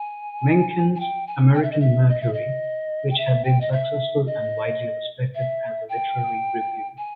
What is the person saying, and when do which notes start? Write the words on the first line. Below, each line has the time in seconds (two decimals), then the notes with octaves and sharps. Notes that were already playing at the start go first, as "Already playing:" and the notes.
Mencken's "American Mercury", which had been successful and widely respected as a literary review.
Already playing: G#5
0.95 G#5
1.00 G5
1.27 G#5
1.54 G5
1.63 E5
1.72 D#5
1.80 E5
2.09 D#5
2.21 E5
2.33 D#5
3.10 G5
3.18 E5
3.45 G5
3.61 D#5
3.72 E5
4.26 D#5
5.35 E5
5.89 G5
6.98 G#5